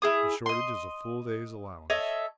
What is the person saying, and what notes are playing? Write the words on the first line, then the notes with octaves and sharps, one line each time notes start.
The shortage is a full day's allowance.
E4 G#4 D#6
D#5 C6
A4 C#5 D#5 E5